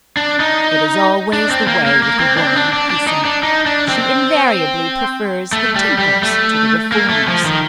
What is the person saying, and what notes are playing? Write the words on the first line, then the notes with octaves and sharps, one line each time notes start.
"It is always the way with a woman," he said; "she invariably prefers the tinkers to the reformers."
D4
D#4
D4
C4
A#3
A#3
A#3
C4
D4
C4
D4
D4
D4
D#4
D4
D#4
D4
C4
A3
G3
G3
A3
A#3
A3
F3
D#3